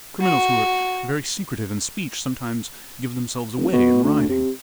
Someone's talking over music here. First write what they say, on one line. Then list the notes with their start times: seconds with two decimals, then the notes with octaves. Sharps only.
Criminals who are very secretive in speech sometimes give themselves away in writing.
0.21 F#4
3.57 F1
3.72 B2
4.04 D2
4.29 C3